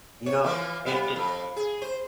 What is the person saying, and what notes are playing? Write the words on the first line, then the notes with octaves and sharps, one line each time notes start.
You know, it it
C#5
E3 F3 A#3
G3 B3
F2
G#4
C5